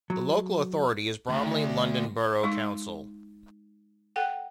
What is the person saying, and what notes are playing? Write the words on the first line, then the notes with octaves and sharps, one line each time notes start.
The local authority is Bromley London Borough Council.
F#3
D2
G#3 D#4 C#6
A4 F#5 G5